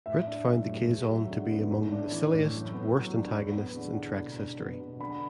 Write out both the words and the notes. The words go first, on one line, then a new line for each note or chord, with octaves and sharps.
Britt found the Kazon to be among "the silliest, worst antagonists in Trek's history".
A2 E5
D4
F#3
A2
E2
F#3
D3
B3
A2
D4
E3
A2
F#2
B3
F#3
D4
E2
B3
D3
D4
B2
D4
B3
B2
D3 B5